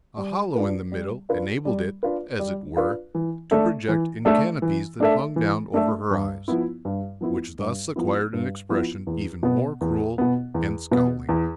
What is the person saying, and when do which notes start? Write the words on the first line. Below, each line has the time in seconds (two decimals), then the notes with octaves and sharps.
A hollow in the middle enabled it, as it were, to project in canopies that hung down over her eyes, which thus acquired an expression even more cruel and scowling.
0.17 G3
0.55 D4 F4 B4
0.92 G3
1.29 D4 F4 B4
1.65 G3
2.03 D4 F4 B4
2.39 G3
2.77 D4 F4 B4
3.15 E3
3.51 A3 D4 A4 E5
3.89 E3
4.25 A3 D4 A4 E5
4.62 E3
5.00 A3 D4 A4 E5
5.36 E3
5.74 A3 D4 A4 E5
6.11 G2
6.48 F3 B3 E4
6.85 G2
7.21 F3 B3 E4
7.58 G2
7.96 F3 B3 E4
8.33 G2
8.69 F3 B3 E4
9.07 E2
9.43 B2 B3
9.81 E2
10.18 B2 B3
10.54 E2
10.91 B2 B3
11.29 E2